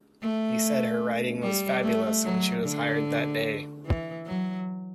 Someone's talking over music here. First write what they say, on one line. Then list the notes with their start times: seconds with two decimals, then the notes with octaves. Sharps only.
He said her writing was fabulous', and she was hired that day.
0.22 A3
1.42 G3
1.82 A3
2.24 F#3
2.64 D3
3.86 E3
4.26 F#3